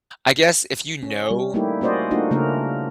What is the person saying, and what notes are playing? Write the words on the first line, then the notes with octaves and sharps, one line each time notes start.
I guess if you know
C#4
G3
G3 A3 A#3 D#4 E4 G4
A#3 C#4 F#4 C5 D5 D#5
A3 A#3 D4 D#4 F4 F#4
C#3 A3 A#3 C#4 D4 A#4